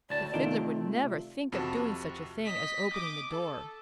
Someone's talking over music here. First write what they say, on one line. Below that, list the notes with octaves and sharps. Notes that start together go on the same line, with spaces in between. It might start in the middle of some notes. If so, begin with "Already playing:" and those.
The Fiddler would never think of doing such a thing as opening the door.
D2 A2 D5 A5
C3 D#3 A3 D4 D#4 F4 D5
F2 C3 F#4 A5 E7
D#5 B6
D6 D#6
A4